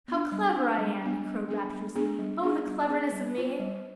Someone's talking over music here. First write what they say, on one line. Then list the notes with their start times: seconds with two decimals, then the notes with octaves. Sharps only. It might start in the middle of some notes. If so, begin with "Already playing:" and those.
"How clever I am!" he crowed rapturously, "oh, the cleverness of me!"
0.08 B3 D4
0.32 G3
0.56 B3 D4
0.78 G3
1.02 B3 D4
1.25 G3
1.48 B3 D4 G#4
1.73 G3
1.96 B3 D4 G#4
2.19 G3
2.43 B3 D4 G#4
2.66 G3
2.89 B3 D4 G#4
3.12 G3
3.36 B3 F4 C5
3.60 G3